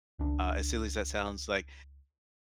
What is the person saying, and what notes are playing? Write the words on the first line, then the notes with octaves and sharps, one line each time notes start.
Uh, as silly as that sounds like,
C#2 D4